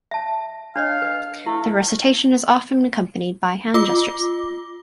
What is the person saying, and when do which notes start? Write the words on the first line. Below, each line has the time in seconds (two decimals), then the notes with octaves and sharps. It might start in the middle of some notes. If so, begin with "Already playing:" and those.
The recitation is often accompanied by hand gestures.
0.11 E5 A5
0.76 D4 C#5 D#5 F5
1.02 B4 D#5
1.46 A3 E4
3.74 F4 D6